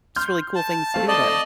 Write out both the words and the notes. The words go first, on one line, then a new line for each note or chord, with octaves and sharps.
just really cool things to do there.
C6 F6 G6
A5
A3 C4 F5
D5 D#5 A5